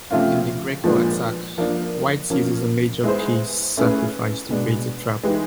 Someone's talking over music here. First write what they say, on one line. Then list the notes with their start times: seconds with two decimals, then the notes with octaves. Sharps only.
In the Greco Attack White uses a major piece sacrifice to create a trap.
0.11 C3 F3 A3 C#4 F4
0.84 A#2 F3 G#3 B3 D4
1.58 F3 A#3 D4
2.30 F3 A#3 C#4
3.04 G#3 B3 E4 G#4 C5
3.77 A3 C#4 E4 G#4 B4
4.50 B2 G#3 B3 D4
5.23 E3 G#3 B3 D#4 G4